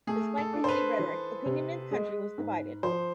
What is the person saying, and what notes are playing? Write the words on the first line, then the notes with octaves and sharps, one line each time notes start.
Despite the heated rhetoric, opinion in the country was divided.
A3 G#4
A4
D4
C5
B4
E3
C3
G#3
G#2
F3 C5